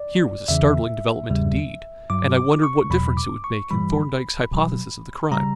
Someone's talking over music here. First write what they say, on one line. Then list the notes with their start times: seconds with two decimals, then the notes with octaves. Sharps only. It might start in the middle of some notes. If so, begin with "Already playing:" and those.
Here was a startling development, indeed, and I wondered what difference it would make in Thorndyke's hypothesis of the crime.
Already playing: D5
0.48 E2 C#3 E3 E5
1.29 E2 C#3 G3
2.10 G2 F#3 D6
2.37 D6
2.63 C#6
2.90 E2 B2 F#3 B5
3.17 D6
3.44 C#6
3.71 G2 E3 G3 B5
4.51 B2 F#3
5.32 C#3 G3 A#5